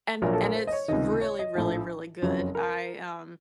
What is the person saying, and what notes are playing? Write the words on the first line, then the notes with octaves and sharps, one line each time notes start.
and and it's really, really, really good. I am
A#1 A#2 F#3 A#4
A4
A#4
C5
D#5
C#5
C#2 C3 D#3 D#5
C#5
D#5
A#1 A2 F3
F#1 F2 C#3 F#3
A#4